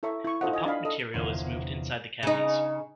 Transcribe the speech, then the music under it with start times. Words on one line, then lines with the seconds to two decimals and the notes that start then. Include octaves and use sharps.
The pumped material is moved inside the cavities.
0.03 E4 A4 C#5 E5 A#5 C#6
0.25 E4 C#6
0.41 D#4 F4 A4 C5 D#5 F#5
0.53 D#5 G5 G#5
0.66 D4 D#5 F5 B5
0.85 A4 D#5 D#6
1.13 G1 E2 C3 F4 C#5 D#7
2.23 C#3 D#4